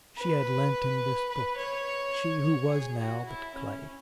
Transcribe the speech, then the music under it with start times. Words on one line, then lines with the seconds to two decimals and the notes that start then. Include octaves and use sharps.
She had lent him this book--she who was now but clay.
0.17 B4
1.29 B4
1.57 C#5
2.42 C#5
2.70 G#4
2.98 F#4
3.26 E4
3.54 C#4